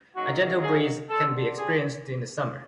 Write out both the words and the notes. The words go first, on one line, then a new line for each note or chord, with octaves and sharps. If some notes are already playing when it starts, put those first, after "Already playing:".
A gentle breeze can be experienced in the summer.
C#3 F#3 A#3 D#4 F#4
G#4
D3 G3 C4 A4
G#4